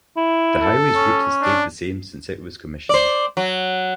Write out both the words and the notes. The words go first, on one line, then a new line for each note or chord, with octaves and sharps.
The highway's route has stayed the same since it was commissioned.
E4
A4
C#4
D4
C5 D5
F#3